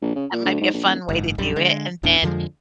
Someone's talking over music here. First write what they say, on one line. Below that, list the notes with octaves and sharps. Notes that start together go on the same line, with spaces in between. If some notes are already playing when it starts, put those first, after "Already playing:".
that might be a fun way to do it. And then,
A#1
C#3
A#2
D2
G#2
A#1
D#1
F#1 G#2
A#1 F#2 G3
D3 G#3
D#1 E2 A2 D4
F2 D3 F3 G#3